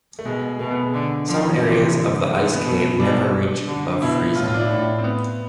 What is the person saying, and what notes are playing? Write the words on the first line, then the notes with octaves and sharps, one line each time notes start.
Some areas of the ice cave never reach above freezing.
A3
B2 G#3
B2 A3
B3
G#3
D3
D3 F3
C3 E3 F3
D3
D3 G#3
A3
B3
B2
B2 D4
D3
B2 E4
A2 F4
F4
D4
E4
A2 D4
C4
B3